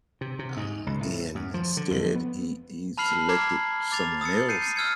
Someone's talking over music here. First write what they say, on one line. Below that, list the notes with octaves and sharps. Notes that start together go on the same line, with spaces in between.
um, and instead, he he selected someone else,
C3
C3
G#2
C#2
A2
F#2
F3
D3
F2
B3
A5 B5 F6 C7 F#7
A#5 D6 F6 G#6 C7
D6 A6 F7
D#6 E6 A6 C#7
G6 C7 C#7 D#7
E6 F6 G#6 C#7